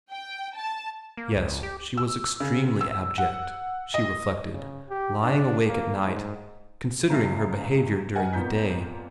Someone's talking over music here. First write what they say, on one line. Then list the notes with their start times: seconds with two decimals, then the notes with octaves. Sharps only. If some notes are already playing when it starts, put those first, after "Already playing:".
Yes, she was extremely abject, she reflected, lying awake at night considering her behaviour during the day.
0.11 G5
0.56 A5
1.17 A#3
1.36 C#2
1.63 G4
1.97 E6
2.40 C#3
2.81 E6
3.18 F#5
3.94 D#5
4.52 C#3
4.89 G4
5.23 D4
5.67 A#3
6.04 G#2
7.10 F#1 C#2 C#3 E5 C7
8.15 A#4 D#5 F#5 G#5
8.33 F2 A#2 B3 A#5 G6 B6